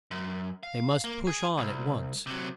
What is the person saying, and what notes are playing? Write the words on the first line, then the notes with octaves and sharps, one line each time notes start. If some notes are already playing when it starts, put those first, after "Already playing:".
They must push on at once.
F#2
F5
A#3
G#4
C2
C3 F#3